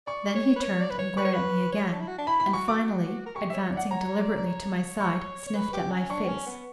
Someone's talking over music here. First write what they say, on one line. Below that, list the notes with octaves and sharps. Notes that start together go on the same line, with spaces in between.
Then he turned and glared at me again, and finally, advancing deliberately to my side, sniffed at my face.
D5 C#6
C#5
B4
C#5
D5
B4
C#5
B4 C#6
C#5
B4
C#5
D4
E4
F#4
D4
E4 B5
B5
G4
F#4 C#6
D6
A#4
G4 C#6
C#5 E5
D5 F#5
C#5 A#5
D5
D5
C#5
C#6
C#5
B4
G4
C#4
D4 C#6
B3
C#4
B3